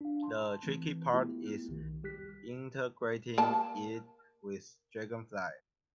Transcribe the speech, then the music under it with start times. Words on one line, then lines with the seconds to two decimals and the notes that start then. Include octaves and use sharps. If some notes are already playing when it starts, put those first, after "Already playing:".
The tricky part is integrating it with Dragonfly.
0.01 D4 F5
0.23 A5 C6
0.63 E3 A3 C4
1.13 A3 B3 E4 F4 G4
1.68 B1 D#3
2.03 G3 G4 F#6 B6
3.38 A#3 A5